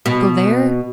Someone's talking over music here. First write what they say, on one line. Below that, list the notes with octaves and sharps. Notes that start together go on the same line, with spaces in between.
Go there?
B2